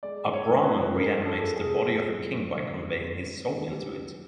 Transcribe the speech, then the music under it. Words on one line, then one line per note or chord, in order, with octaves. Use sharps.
A Brahman reanimates the body of a king by conveying his soul into it.
G#3 D5
G#2
C#5
G#2
B4
F3
F3 A#4
F2
A4
G#3
G#4
C3
F3
F#2
G#3
D3
G3
G#2
G#2
D#3
G3 G4
F#2